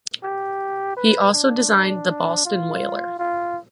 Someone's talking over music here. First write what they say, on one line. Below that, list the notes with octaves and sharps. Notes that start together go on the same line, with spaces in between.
He also designed the Boston Whaler.
G4
B4
D4
F4
F4